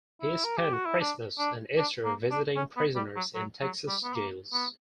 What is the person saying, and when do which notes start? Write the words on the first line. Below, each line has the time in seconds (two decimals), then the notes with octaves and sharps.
He spent Christmas and Easter visiting prisoners in Texas jails.
0.21 E4
0.44 A#4
0.57 G4
0.72 F#4
0.86 E4
1.00 D4
1.39 D4
1.78 D4
2.05 A#3
2.31 D4
2.56 C#4
2.77 B3
2.96 G3
3.16 F#3
3.35 F#3
3.62 F#3
3.87 G3
4.04 B3
4.14 A#3
4.53 B3